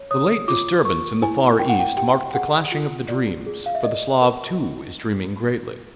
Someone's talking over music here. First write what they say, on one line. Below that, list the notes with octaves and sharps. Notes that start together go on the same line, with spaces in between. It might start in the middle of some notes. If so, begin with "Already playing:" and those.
The late disturbance in the Far East marked the clashing of the dreams, for the Slav, too, is dreaming greatly.
Already playing: C#5
C#5 D#6
F4 D6
A#4 C#6
E4 G#5
A#4 G5
F#5
G5
G4 G5
G#4 F#5
F4
F4 D5
G#4
F5
E5
D5 D#5
A#4